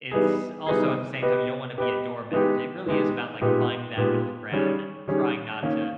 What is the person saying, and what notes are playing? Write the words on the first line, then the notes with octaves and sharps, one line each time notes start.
It's also, at the same time, you don't want be a doormat. It really is about like finding that middle ground and trying not to
E3 G3 B3 D#4 G#4
E3 G3 B3 D#4 G#4
B3 G4 B4 D#5
B3 G4 B4 D#5
E3 G#3 B3 D#4 G4
E3 G#3 B3 D#4 G4
A#2 G#3 B3 D#4 G4
A#2 G#3 B3 D#4 G4
D#3 G3 C#4 G#4
D#3 G3 C#4 G#4
D#3 A#3 C#4